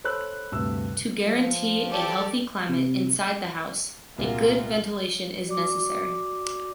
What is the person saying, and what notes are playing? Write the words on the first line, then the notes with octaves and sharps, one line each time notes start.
To guarantee a healthy climate inside the house, a good ventilation is necessary.
A4 C5 C#5 B5 E6 F#6
D2 G2 C3 A3 E6
F3
G4 A4 D5
C3
C2 A#2 F4 F#4 A#4
F#4 D5 D6